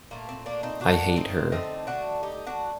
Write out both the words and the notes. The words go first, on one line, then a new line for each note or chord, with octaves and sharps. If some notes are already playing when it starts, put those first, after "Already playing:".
I hate her.
A#2 A3 A#3
C4
A#3 D4
C4 D#4
D4 F#4
C4 D#4
D3 A3 C4 D#4
D4 F#4
D#4 G4
D4 F#4